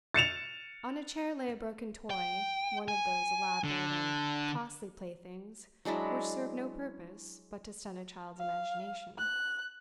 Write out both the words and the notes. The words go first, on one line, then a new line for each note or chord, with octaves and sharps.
On a chair lay a broken toy, one of those elaborate and costly playthings which serve no purpose but to stunt a child's imagination.
A6 C#7 E7 F7
G5
G#5
D3
F#3 G#3 D4 E4
F5
F#6